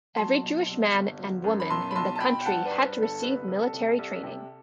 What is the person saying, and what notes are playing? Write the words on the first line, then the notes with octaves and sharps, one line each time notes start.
Every Jewish man and woman in the country had to receive military training.
F#3 A5 C6
B2
C2
G1
F#3
F#2
B5
B1 A5 C6
B5
B1 A5 C6
A5
B2 G5 B5
G5
G2 F#5 A5
B4 D5
G2
C5
B4
G1
A4
C2 B4
C2
A4
C3
C2
C3